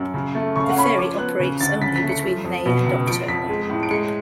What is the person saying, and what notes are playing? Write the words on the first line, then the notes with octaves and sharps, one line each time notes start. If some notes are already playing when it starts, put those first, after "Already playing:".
The ferry operates only between May and October.
Already playing: F#2
C#3
A3
C#3 C#6
F5
F#5
C#4 B5
C#6
F3 D6
B3 F#6
C#3
D2 A6
C#3 B6
B6
A3
C#7
F3
F2
B2
C#2
F3 D7
F2 B6
G#3
A2
D7
G#3 C#7